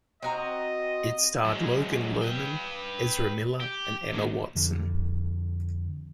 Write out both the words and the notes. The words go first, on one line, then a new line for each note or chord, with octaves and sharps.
It starred Logan Lerman, Ezra Miller, and Emma Watson.
C4 F#4 D#5 A#5
F#2 G#3
B4 G5
G4
A#2 D#3
F2 D3